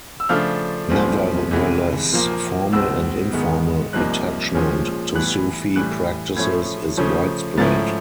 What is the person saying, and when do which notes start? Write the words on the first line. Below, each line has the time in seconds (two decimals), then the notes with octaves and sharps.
Nevertheless, formal and informal attachment to Sufi practices is widespread.
0.20 E6
0.29 C#3 F3 A3 D4 F4 F6
0.90 C2 A#2 F3 A3 C4
1.51 E2 C3 E3 G#3
2.12 A#2 F3 A#3
2.73 C#2 B2 G#3 C4 E6
3.33 G#2 D#3 G#3 B3
3.93 C2 C3 F3 A#3 D#4 F#6
4.54 A#2 F3 G#3 C#4
5.14 A2 E3 G3 B3 F#6
5.76 A2 E3 G3 F#6
6.37 A2 F3 A3 C#4 G#6
6.97 C#3 F3 A3 C#4
7.58 G#2 F3 A3 C#4 E4 A6